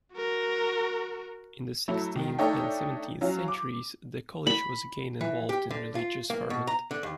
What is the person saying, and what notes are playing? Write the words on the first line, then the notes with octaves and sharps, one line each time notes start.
In the sixteenth and seventeenth centuries, the college was again involved in religious ferment.
F#4 A#4
F#3 A3 E4
D#3
A3 D4 D#4 A4 C#5 G5
F#3 C#4 F4
D6
B5
E3
G4
D3
F4
A#3
B2
A#5
D3
D#2